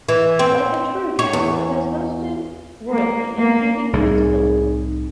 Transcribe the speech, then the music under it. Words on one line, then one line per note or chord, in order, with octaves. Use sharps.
Like a true castle, it has hosted royalty including Prince Philip.
E3
C4
C#5
E2
A#3
A#3
C2 A2 D#4 G#4